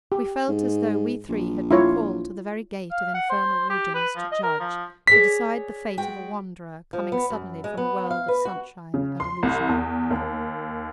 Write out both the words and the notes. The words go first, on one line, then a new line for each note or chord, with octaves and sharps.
We felt as though we three had been called to the very gate of Infernal Regions to judge, to decide the fate of a wanderer coming suddenly from a world of sunshine and illusions.
G4
G#2
A#1
E4 F4 C#5
F5
F#5
C5
G4
B4
F3
D#5
A#4
F3
G#4 C#5 D5 B6
G#3 F#4 G5
F3
B3
F#2
G#3
B3
F5
B4
F#4
C#3
C6
C2
E2
D#2